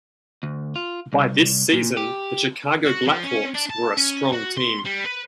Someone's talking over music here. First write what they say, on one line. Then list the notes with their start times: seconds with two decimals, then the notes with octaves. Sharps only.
By this season, the Chicago Black Hawks were a strong team.
0.43 D2
0.76 F4
1.13 C2
1.73 A#2
1.97 G4
2.86 F#4
3.06 F3
3.23 C#4
3.54 D4
3.70 A5
3.97 C#4
4.33 F#4
4.57 C6
4.85 G3
5.05 B4